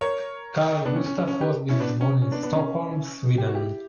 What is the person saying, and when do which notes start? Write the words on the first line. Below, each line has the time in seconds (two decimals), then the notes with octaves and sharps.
Carl-Gustaf Rossby was born in Stockholm, Sweden.
0.01 A#4 C#5
0.85 B3 D4
0.96 C#4
1.06 C#4
1.17 C#4
1.27 C#4
1.41 G4 B4
1.69 C#4 E4
1.80 B3 D4
2.01 C#4
2.22 C#4
2.32 B3 D4
2.43 B3 D4
2.53 C#4
3.38 G4
3.45 F#4
3.55 E4 G4